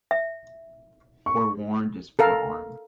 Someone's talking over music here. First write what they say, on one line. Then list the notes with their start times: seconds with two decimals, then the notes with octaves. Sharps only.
Forewarned is forearmed.
0.11 E5
1.26 C#6
2.19 A4 A#4 F5